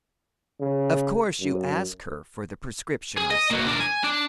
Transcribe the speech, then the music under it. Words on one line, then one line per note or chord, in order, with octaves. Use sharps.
"Of course you asked her for the prescription?" I said.
C#3
F#2
G#4
D#5
A#3 F#4
D4 A#4
G#5
D4